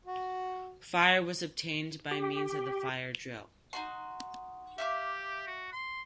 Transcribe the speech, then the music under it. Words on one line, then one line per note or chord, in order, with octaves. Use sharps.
Fire was obtained by means of the fire-drill.
F#4
G4
D#4 F#4 C6
G4 E5 F5 D6
F#4
C6